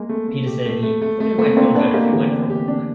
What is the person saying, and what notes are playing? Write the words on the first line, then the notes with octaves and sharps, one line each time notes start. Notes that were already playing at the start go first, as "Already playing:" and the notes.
Peter said he thought he might feel better if he went for a walk.
Already playing: G#3 A#3
A3
A3
G4
A3
A3
A3
A3
A3 A#3 C4
A#3 C4 D4
A3 B3 D4
G#3 A#3 G4
D3 E3 G4
D4
G4
D4